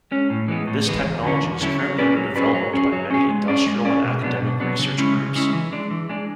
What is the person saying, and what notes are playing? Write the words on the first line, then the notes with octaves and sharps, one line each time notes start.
This technology is currently under development by many industrial and academic research groups.
G#3 C#4
A2
E3 G#3 B3
A2
E3 G#3 B3
E2
D3 F#3 C#4 E4
E2
D3 F#3 C#4 E4
F#3
C#4 G#4 B4 D5
F#3
C#4 G#4 B4 D5
F#3
C#4 G#4
F#3
C#4 G#4
G#3
C#4 G#4 D5
G#3
C#4 G#4 D5
B2
F#3 B3 D4
B2
F#3 B3 D4
C#3
G#3 C#4 E4
C#3
G#3 C#4 E4
E3
G#3 D4
E3
G#3 D4